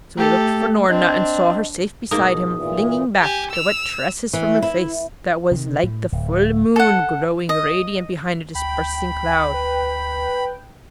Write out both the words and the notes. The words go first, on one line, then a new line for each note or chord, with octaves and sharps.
So he looked for Noorna, and saw her safe beside him flinging back the wet tresses from her face, that was like the full moon growing radiant behind a dispersing cloud.
A3 G4 A4
C4 D4 D#5
G#2 B2 A#3 A#4 D#6
A#2 E3
G4 G#5
E6 F7
E3
E4
C3 D#3
A2
D1
A4 F#5
D#5
D2 G5 B5
B4